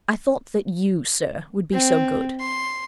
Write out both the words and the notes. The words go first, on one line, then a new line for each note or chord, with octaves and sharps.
"I thought that you, sir, would be so good!"
C4
C6